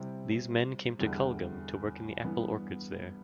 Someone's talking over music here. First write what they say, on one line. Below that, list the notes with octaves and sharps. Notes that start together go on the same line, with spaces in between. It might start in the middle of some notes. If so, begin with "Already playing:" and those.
These men came to Kulgam to work in the apple orchards there.
Already playing: C3 G3 C4 E4
E2 D3 G3
G2 E3 B3